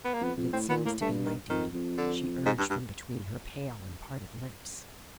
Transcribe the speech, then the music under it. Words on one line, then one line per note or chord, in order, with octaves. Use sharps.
"But it seems to be my duty," she urged from between her pale and parted lips.
B3
A#3
F2 B3
F2
A2 C4
A#2 B3
A2 A#3
G2 A3
D#3
F2 D#3
F2
D3
G#2
G2
G2